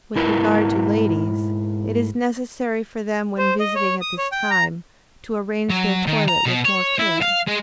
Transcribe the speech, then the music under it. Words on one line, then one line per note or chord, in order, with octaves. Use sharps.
With regard to ladies, it is necessary for them when visiting at this time, to arrange their toilet with more care.
G#2 E4 A#4 B4
C5
D#5
C#5
D#6
C#5
G5
A#5
F#3
D#3
A#5
B2
C#5
E4
F5
G#3